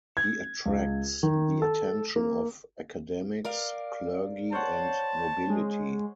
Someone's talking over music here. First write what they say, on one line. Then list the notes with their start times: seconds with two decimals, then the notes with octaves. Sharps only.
He attracts the attention of academics, clergy and nobility.
0.17 G#6
0.66 C#2
1.23 D#3
1.62 A4
2.16 A#3
3.44 A#4 D5 F5
4.52 C5 C#5 F#5 A5
5.50 G#3